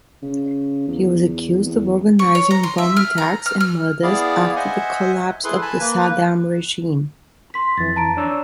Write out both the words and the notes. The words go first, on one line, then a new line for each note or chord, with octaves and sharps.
He was accused of organizing bomb attacks and murders after the collapse of the Saddam regime.
C#3
E2
E2
C#6
C#5
A#5
C6
E5
F6
A#5
F6
F6
B3 E4 G#4 D5 F5
C5 D#5 E5 F#5 G#5
E4 G#4 A4 B4 C6
G#5 A5 B5
A#3 B4
C6 B6
F2 E3 A6
A5 A#5 D7
D4 C#5 E6